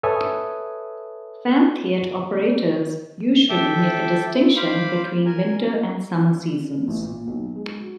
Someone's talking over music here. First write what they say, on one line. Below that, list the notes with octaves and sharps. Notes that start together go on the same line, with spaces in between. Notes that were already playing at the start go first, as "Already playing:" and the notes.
Phan Thiet operators usually make a distinction between winter and summer seasons.
A4 B4 C#5 E5 G#5 D#6
A4 E5 G5 D6
C5 F5 B5 D6
A#4 G#5
A1
A#2
B1
G#3
F#4